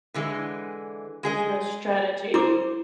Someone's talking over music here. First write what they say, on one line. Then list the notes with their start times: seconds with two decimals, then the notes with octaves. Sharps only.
There's real strategy,
0.14 D3 E3 G#3
1.23 G#3 G#4 D#5
2.34 E4 C5 D6